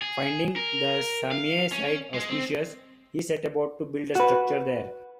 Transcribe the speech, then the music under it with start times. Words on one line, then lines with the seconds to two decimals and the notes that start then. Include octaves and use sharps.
Finding the Samye site auspicious, he set about to build a structure there.
0.02 G#4
0.56 A#4
1.31 F5
1.72 C#4
2.14 G#3
2.30 C4
4.15 F#4 B4